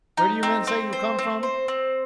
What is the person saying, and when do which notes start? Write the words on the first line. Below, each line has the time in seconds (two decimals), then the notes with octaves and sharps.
"Where do you men say you come from!"
0.17 D#4
0.43 C4
0.67 C4
0.93 C5
1.19 C4
1.43 C5
1.68 C4